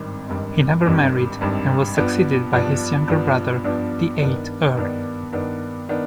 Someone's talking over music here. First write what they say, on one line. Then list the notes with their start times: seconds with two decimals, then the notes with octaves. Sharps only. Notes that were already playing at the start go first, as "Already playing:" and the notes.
He never married and was succeeded by his younger brother, the eighth Earl.
Already playing: G#1 G2 D#3 G3 C4
0.28 G#1 G2 D#3 G3 C4
0.85 G#1 G2 D#3 G3 C4
1.41 G#1 G2 D#3 G3 C4
1.97 G2 F3 B3 D4
2.53 G2 F3 B3 D4
3.08 G2 F3 B3 D4
3.64 G2 F3 B3 D4
4.20 G2 D#3 B3 D4
4.77 G2 D#3 B3 D4
5.33 G2 D#3 B3 D4
5.89 D#3 B3 D4